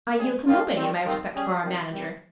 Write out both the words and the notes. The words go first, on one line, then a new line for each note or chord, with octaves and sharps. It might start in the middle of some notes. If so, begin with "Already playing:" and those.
I yield to nobody in my respect for our manager.
C3 G3 C#4 G#4
G3 A#3 C#4 F4
D#3 G3 C4
G#2 D#3 G3 C4 F4
G3 C#4 G#4
C3 D#3 G3
C3 D#3 G3